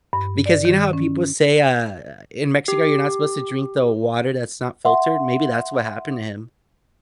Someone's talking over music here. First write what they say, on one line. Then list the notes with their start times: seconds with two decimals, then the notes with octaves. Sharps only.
because you know how people say, uh, in Mexico, you're not supposed to drink the water that's not filtered, maybe that's what happened to him.
0.13 G2
0.46 D5
0.65 D#3
0.93 C#4
2.68 G4
4.85 E5 F#5 C6